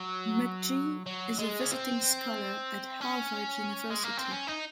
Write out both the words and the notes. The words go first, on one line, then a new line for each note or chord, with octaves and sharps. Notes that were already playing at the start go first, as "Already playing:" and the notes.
McGee is a visiting scholar at Harvard University.
Already playing: F#3
F#3
G#3
C#4
C4
C#4
G#3
A#3
C4
C#4
D#4